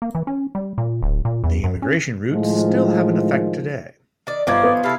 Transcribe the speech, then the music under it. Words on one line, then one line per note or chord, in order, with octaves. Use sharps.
The immigration routes still have an effect today.
A#3
E3
C#4
G3
A#2
D1
A#2
E2
F#2
C#4
A2 D#3 F3 G#3
D#3 D5
G1 D#3 F3 C5 D5 G#6
B3
C3 E4 A4 F5